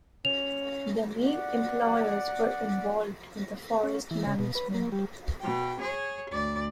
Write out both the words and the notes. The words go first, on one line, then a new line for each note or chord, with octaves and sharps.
The main employers were involved in the forest management.
C#4 F7
D5 F#5
C#4
E3
C#3
B2
B4
A#3
G3
B2 G5
G#4 C#5
D2 D5